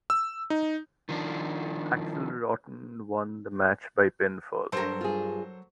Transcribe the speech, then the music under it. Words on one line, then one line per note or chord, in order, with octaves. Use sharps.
Axl Rotten won the match by pinfall.
E6
D#4
D#3 F3 D4
G2 F#3 A4 A#4 C5
F4 G#4